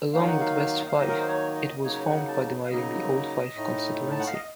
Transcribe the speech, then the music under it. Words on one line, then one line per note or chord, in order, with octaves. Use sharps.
Along with West Fife, it was formed by dividing the old Fife constituency.
D#3 F#3 A#3 D#4 F5
F#5
F5
F5
D#3 F#3 A#3 D#4 D#5
A#4
C5
C#5
D#5
C#3 F#3 A#3 D#4 C#5
F#5
A5
F5
C#3 F#3 A#3 D#4 D#5
A2 A3 D#4
A5
F#5
F5
D#5